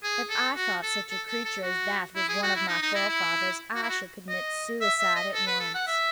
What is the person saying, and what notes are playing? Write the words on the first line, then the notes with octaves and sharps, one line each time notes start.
"If I thought such a creature as that was one of my forefathers, I should commit suicide at once."
G#4
A4
F#4
A4
A4
A4
A4
F#4
E4
G#4
F#4
E4
D#4
D#4
E4
E4
F#4
E4
F#4
D#5
E5
E5
D#5
A4
B4
A4
F#5
E5